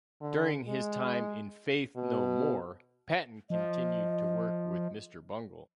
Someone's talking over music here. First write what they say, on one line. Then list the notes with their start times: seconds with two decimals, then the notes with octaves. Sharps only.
During his time in Faith No More, Patton continued to work with Mr. Bungle.
0.21 D3
0.68 G#3
1.96 B2
3.50 F3 D#5